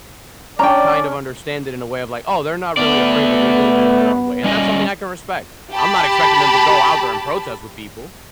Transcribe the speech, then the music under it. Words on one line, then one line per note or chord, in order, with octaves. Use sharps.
kind of understand it in a way of like, "Oh, they're not really afraid, but they're doing it in their own way," and that's something I can respect. I'm not expecting them to go out there and protest with people,
C#4 D4 D5 G5 A#5
A3 B3 D5
G3 C#4 D#5
G4 A5 B5